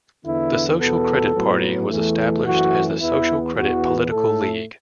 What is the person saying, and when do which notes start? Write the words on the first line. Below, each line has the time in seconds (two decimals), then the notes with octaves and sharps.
The Social Credit Party was established as the Social Credit Political League.
0.25 E2 D3 B3 E4
0.79 E2 B2 B3 A4
1.34 A2 F#3 B3
1.90 E2 E3 A3
2.45 F#2 E3 A3 F#4
2.99 E2 E3 B3 E4
3.55 E2 E3 B3 F#4
4.10 A2 A3 A4